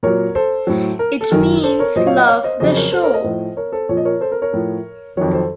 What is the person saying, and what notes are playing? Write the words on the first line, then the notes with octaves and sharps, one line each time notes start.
It means "Love the show".
A#2 F#3 A#4 C#5
A4 C5
A2 F#3
A#4
A4
F#2 D#3 F#3 A#4
A4 C5
A#4 C#5
A#2 F#3 C5 D#5
C#5 F5
D#5 F#5
C#5 F5
C5 D#5
F2 C#3 F#3 C5 D#5
A#4 C#5
A4 C5
A#4 C#5
C5 D#5
A2 F3
A#4 C#5
A4 C5
A#2 F3 C#5
D#5
A#4 C#5
A4 C5
A#4
A#4 C#5
A2 F3
F2 D#3 F#3 A#4 C#5
A4 C5